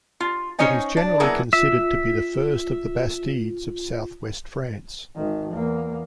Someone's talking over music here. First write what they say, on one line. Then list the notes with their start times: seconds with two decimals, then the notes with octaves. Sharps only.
It is generally considered to be the first of the bastides of Southwest France.
0.20 F4
0.59 C#4 D#4 C5 C#5 D#5 G#5
0.97 D4
1.20 F#3 A#3 B3 E4 G#4 A#4
1.53 F4 E5
5.15 G#1 D#3
5.50 E2 A#3